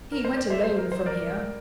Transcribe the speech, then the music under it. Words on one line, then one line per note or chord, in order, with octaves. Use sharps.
He went alone from here.
A#4
C5
D5
C5 E5
C5
A#4
C5
A#4 D5